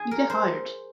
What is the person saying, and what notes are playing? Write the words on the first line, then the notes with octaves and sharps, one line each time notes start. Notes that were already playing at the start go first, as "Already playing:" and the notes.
You get hired.
Already playing: G#4
A#4
C5